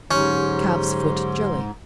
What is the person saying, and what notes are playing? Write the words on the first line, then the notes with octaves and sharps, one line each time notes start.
Calf's Foot Jelly.
G#2 D3 F#3 C#4 G4 C6